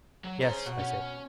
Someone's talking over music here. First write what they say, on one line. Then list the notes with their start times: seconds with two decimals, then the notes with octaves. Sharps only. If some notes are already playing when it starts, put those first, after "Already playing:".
"Yes," I said.
0.24 F#3
0.41 G#4 C5 C#5 A#5
0.66 B2 F#4
0.79 C#4